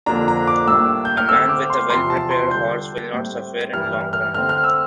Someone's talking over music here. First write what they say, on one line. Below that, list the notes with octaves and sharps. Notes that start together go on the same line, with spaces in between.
A man with a well prepared horse will not suffer in long run.
F2 D3 F3 A#3 D4 A#5
A#5
D6
A2 G3 A#3 D4 E6
G6
F6
D3 A3 C4 E6
D6
C6
E2 C3 F3 C6
A5
C6
D3 G3 D4 G6
A2 G3 C4
G2 E3 G3 F6
F6
F6
D3 A3 C4 F6
F6
E6